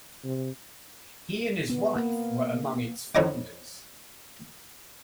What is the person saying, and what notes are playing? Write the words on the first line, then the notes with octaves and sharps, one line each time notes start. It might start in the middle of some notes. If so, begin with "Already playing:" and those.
He and his wife were among its founders.
C3
B3
A#3
F2 C#4 E4 D#5 D6